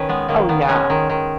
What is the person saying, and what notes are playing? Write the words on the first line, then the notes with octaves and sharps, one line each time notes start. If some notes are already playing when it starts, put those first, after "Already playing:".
Oh, yeah.
Already playing: D#3 C#4 B4
G#3 B3
D#3 A#3
D#3 B3
G#3 C#4
D#3
D#3